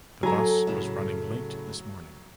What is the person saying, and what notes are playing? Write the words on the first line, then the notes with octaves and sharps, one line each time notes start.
The bus was running late this morning.
F#3 A4 G#5 A#5
A2 C#3